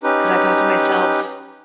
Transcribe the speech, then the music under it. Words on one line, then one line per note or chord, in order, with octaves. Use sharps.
'cause I thought to myself,
C#4 D#4 G4 B4